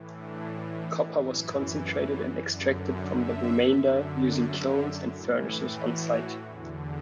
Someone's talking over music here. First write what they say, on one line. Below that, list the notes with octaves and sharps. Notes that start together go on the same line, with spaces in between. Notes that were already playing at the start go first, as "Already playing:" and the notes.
Copper was concentrated and extracted from the remainder using kilns and furnaces on site.
Already playing: A2 E3
D4
F#2 E3
A4
B4
F#2 D3 D5
E5
E5
F#2 D3
E5
E5
A2 E3 E4
E4
F#4
E2 D3